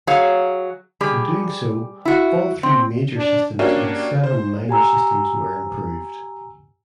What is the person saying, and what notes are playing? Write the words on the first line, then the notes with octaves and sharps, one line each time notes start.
In doing so, all three major systems and seven minor systems were improved.
F#3 G#4 C#5 F5
G3 G4 G#4
E4 F#4
C4
D4
A#3 C#4 D4 F#4 G4
C5
G4 G#5 A#5 E6